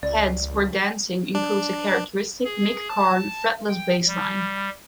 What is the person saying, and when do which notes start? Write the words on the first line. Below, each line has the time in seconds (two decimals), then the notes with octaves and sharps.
"Heads We're Dancing" includes a characteristic Mick Karn fretless bassline.
0.03 C#2 D5
1.35 D4
2.45 G#4
2.89 A5
3.69 G5
4.08 G3